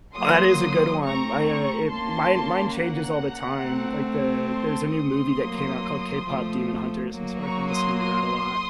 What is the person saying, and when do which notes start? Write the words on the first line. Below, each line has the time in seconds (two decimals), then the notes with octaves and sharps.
Oh, that is a good one. I, uh, it mine mine changes all the time. Like, the there's a new movie that came out called K-Pop Demon Hunters, and so I've been listening to that a lot.
0.16 F#3 A#3 C6 D#6
1.02 A3 C4 A#5 C#6
1.46 A#5 C#6
1.89 A#3 C#4 A5 C6
2.76 F#5 A#5
3.64 A3 C4
4.50 A5 C6
4.94 C6 D#6
5.37 F#3 A#3
6.24 F3 A3
7.12 F#3 A#3
7.41 A#5 C#6
7.70 C6 D#6
7.99 C6 D#6